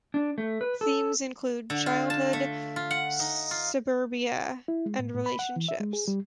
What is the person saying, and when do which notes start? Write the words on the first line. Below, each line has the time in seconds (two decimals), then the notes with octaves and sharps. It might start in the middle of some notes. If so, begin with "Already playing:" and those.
Themes include childhood, suburbia and relationships.
0.14 D4
0.38 A3
0.61 B4
0.81 A4
1.70 D3
1.86 F4
2.10 A5
2.33 A3
2.76 F4
2.91 F#5
3.20 D#4
3.51 F4
4.68 E4
4.86 G#3
4.99 A2
5.14 A2
5.26 B5
5.39 F#5
5.56 E3
5.69 E5
5.80 G#3
5.93 G#4
6.08 G3